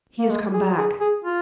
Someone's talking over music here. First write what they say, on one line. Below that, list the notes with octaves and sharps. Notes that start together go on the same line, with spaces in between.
"He has come back."
A#3
G#3
G#4
G#4
G#4
F4